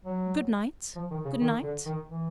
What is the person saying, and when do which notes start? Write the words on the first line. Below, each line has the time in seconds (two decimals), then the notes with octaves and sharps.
Good-night. Good-night.
0.05 F#3
0.96 F3
1.11 D#3
1.25 C#3
1.41 D#3
1.63 D3
1.85 D#3
2.08 E3